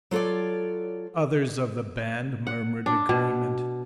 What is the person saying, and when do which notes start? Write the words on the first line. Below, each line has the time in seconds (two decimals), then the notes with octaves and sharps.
Others of the band murmured agreement.
0.11 F#3 F4 A4 C#5 D5
2.47 F#5
2.86 D4
3.09 B2